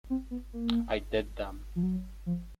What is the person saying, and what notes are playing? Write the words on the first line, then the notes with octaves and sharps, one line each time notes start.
I did them.
C4
B3
A#3
F3
F#3
F3